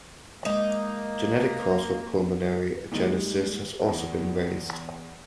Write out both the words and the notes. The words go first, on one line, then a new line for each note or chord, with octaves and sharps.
Genetic cause for pulmonary agenesis has also been raised.
G#3 A#3 D#4 D6
A#2 D3 D#3 G3 G#3
E2